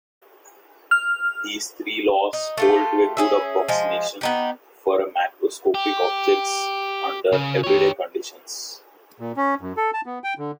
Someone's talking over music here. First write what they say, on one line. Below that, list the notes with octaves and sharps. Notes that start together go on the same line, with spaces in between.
These three laws hold to a good approximation for macroscopic objects under everyday conditions.
F6
D#4
A3 F4 G4
C#4 G#4 E5
F3 G#3
B3 D#4 G4
G4
C#3
G4 C#5
A#2
C#4
F#2
A4
A5
B3
G5
D3